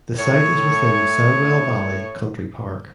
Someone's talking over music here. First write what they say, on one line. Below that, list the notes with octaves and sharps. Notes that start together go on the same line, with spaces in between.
The site is within Sandwell Valley Country Park.
A2 C#5